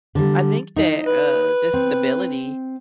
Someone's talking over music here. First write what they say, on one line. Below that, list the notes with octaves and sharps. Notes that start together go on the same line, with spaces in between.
I think that, uh, just stability,
D3 G3
D#4 D#5
B4
C4